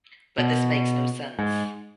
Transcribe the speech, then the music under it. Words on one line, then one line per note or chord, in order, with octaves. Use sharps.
But this makes no sense.
B2
G#2